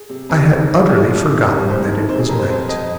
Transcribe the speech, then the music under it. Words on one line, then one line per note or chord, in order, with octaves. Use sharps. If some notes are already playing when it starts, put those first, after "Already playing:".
I had utterly forgotten that it was night.
Already playing: G#4
C3
F2
D#3 G#4
C3
C2 F#4
D#3
C3 G#4
C2 A#4
C2 C5
D#3
C3 C5
G#4
F2 A#4
C5
F2 C5
F2 D#5